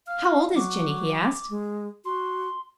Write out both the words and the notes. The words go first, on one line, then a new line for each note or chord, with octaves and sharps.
"How old is Jinny?" he asked.
F5 F6
F#3 D6
G#3
F#4 C6